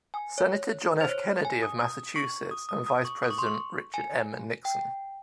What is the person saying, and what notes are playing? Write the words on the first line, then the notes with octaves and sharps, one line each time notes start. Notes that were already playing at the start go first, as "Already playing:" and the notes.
Senator John F. Kennedy of Massachusetts and Vice President Richard M. Nixon.
G#5
C#5
C5
C#5
G#5
D#6
D#6
C#6
D#6
D#6
D#6
C#6
D#6
C#6
C6
C#6
G#5
G5